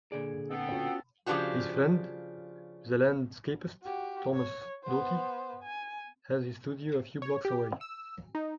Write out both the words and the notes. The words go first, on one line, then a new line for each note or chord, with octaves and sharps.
His friend, the landscapist Thomas Doughty had his studio a few blocks away.
A#2 D3 G#4 D5
B3 C4 A4
C#4 F4 F#4
C#3 F3 G3 D4 F#4 G4
F#4 G4
C#5
B3 C5
G#5
C#5
G4
E6
D#4